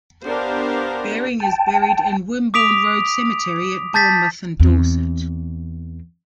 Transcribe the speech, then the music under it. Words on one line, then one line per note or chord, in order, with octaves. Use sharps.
Baring is buried in Wimborne Road Cemetery at Bournemouth in Dorset.
B3 D4 G4 A#4 C5 F5
G5 A5
D6 D#6 B6 D7 F7
A5 G6 A6 B6
E2 C4